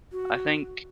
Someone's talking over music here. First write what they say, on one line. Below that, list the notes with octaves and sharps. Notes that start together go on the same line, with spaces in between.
I think,
F#4